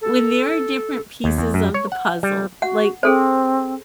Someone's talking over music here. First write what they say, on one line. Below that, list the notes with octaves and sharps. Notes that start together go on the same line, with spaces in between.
When there are different pieces of the puzzle. Like,
A4
D#2
E2
F#2
C#5
F#5
G3
F#4 F#5
C4 G#4 A4 C5